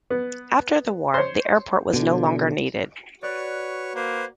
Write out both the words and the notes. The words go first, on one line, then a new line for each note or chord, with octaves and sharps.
After the war, the airport was no longer needed.
B3
C5 C#5
B2 D3
F#4 B4 C#5 D5 F#6
A#3 B4 C5